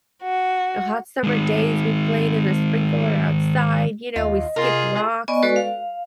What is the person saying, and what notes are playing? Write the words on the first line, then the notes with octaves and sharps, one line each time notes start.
on hot summer days, we played in the sprinkler outside, you know, we skipped rocks,
F#4
D#3 G#3
D#2 F4 D#5
C3 F4 G#4 A#4
B3 D5 D#5 G#5 C#6
G#3 F#4 A4 B4 D5
F5